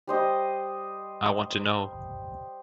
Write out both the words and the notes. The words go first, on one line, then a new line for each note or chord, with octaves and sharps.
I want to know.
G3 C5 D#5